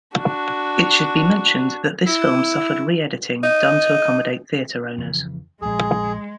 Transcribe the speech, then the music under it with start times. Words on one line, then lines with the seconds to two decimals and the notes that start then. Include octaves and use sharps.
It should be mentioned that this film suffered re-editing done to accommodate theater owners.
0.15 D4 F#4
2.07 E4
3.43 D#4
4.98 F2 C#3 E3
5.62 A#1 F2 G#3 G#4